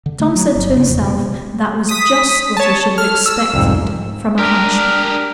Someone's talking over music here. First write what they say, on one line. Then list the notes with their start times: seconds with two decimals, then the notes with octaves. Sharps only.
But Tom said to himself, that was just what he should have expected from a hunchback.
0.06 D3
0.20 A3
0.36 F#3
0.55 G1
0.77 C#3
0.89 F2
1.01 B2
1.89 D#6 B6
2.57 C#5 A5
2.98 A4 F6
3.26 E6
3.54 C2 F2 G#2
4.39 D4 G4 G#4 A#4